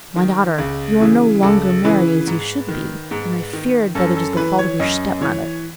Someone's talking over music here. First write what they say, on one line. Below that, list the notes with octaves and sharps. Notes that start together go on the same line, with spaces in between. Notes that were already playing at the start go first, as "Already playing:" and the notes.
'My daughter, you are no longer merry as you should be, and I fear that it is the fault of your step-mother.
D#3
C#2
C#3 E3
C#2 A4
C#3 E3 B4
G#2
D#3
G#2
D#3
F#2 A4
A4
E3 B4
C#5
F#2 D#5
E3 C#5